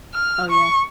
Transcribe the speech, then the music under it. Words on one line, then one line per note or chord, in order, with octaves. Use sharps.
Oh yeah.
F6
C#6